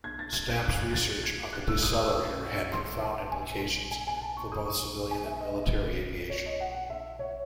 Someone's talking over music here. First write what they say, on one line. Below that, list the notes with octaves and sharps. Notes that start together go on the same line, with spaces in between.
Stapp's research on the decelerator had profound implications for both civilian and military aviation.
G#6
A6
G#6
G#6
F#6
G#6
A6
G#6
F#6
E6
D#6
D#6
E6
C#6
C6
A5
G#5
G#5
G#5
A5
C#6
D#6
C#6
G#5
E5
D#5
D#5
C#5
D#5
F#5
F#5
E5
C#5